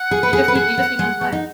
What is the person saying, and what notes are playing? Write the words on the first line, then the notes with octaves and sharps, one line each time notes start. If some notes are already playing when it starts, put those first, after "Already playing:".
You just need you just need some time.
Already playing: F#5
G#4
B4
G#4
B4
G#4
B3
G#3
B3
D#4